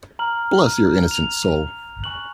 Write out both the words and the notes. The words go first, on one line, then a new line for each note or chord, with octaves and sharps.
Bless your innocent soul!
A#5 F6 F#7
F7
G#5 C#6 F#6 F#7